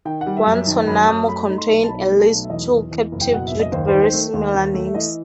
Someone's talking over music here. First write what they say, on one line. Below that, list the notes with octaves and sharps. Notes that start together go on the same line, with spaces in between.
Guantanamo contained at least two captives with very similar names.
D#3 G5
F#5
G3
E5
F#2
E5
D#3 A5
F#2 B5
F#2 D#6
A3 B5
D#4
C6
B1
A5
B1 B5
A3
A5
B1
E5
E2 D#5
E2
E2
F#1
G5
B2 F#5
F#1 E5
D#5
D#2 C5
C5
D#3
C5
A3
D#2
D#2
A3
E5
E3 D#5